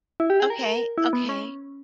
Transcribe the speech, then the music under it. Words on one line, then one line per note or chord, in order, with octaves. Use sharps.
Okay, okay.
E4
G4
G#4
A#4
E4
B3
C#4